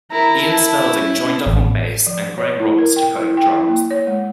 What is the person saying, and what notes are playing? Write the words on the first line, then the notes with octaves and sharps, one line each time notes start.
Ian Spalding joined up on bass and Greg Roberts took over drums.
E4 A#4 A#5
A5
C#4
A1
F3
C#5
E4
A#4
G5
E4
G5
E4
A#3
C#5
G#3